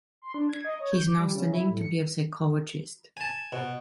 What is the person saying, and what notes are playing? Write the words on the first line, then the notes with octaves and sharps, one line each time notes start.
He is now studying to be a psychologist.
C6
D4
G#6
D#5
C#5
G6
D6
G3
C#3
E4
A2
C#7
G#5 A5
B2